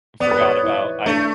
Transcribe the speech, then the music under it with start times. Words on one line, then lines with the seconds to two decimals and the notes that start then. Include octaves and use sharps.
forgot about I
0.20 B3 D5
0.31 B4
0.41 C#5
0.63 E4
1.06 A3 D4